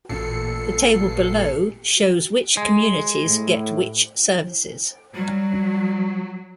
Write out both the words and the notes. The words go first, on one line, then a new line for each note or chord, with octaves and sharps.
The table below shows which communities get which services.
A1 A#2 A4 C7 C#7
G#3
A2
F#3 G3